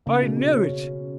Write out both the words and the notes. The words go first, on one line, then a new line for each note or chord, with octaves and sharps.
'I knew it!
C#3 A#3
B2
B2
C#4